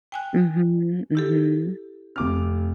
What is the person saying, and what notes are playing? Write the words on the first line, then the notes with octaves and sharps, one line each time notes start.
Mhm. Mhm.
G5 G#5 F#6
E4 G4 A4
F1 D6 F6